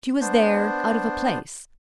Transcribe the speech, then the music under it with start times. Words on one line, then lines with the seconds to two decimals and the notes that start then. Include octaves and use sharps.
She was there, out of a place.
0.21 B3 D4 C5